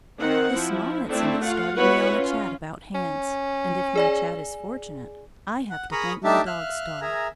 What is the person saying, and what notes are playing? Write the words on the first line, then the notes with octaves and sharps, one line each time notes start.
This small incident started me on a chat about hands, and if my chat is fortunate I have to thank my dog-star.
D#3 C4 D#4 F#5
F3 E4
A3 C4 D4 E4
F4 F5 F#5
B3 E4 F#4 B4 C#5 F#5
C#4 F4
C#4
G#4 D5 G#5
F#5
G#4 A#4 A#5 B5 C#6 D#6
A3 D4 D#4 G4 E5 A5
E5 F5 F6 F#6
G#4 A#4 E5 G#5 A#5